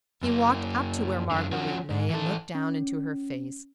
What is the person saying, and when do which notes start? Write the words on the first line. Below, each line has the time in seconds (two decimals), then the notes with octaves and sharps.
He walked up to where Marguerite lay, and looked down into her face.
0.23 F#2 A#3
1.31 F#2 D3
1.52 F3 C#4 F#4
1.90 G#2
2.10 E3 A4
2.55 C#4